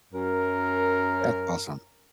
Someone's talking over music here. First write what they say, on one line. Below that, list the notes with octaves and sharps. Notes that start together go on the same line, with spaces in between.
That's awesome.
F#2 A#4